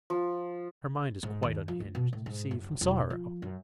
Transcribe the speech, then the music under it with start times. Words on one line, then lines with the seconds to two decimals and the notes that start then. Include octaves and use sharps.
Her mind is quite unhinged, you see... from sorrow.
0.10 F3
1.23 G#2
1.43 D#2
1.68 F3
1.80 D2
1.95 B2
2.13 A2
2.26 G#2
2.51 F#1
2.81 E1
3.10 F3
3.42 F#2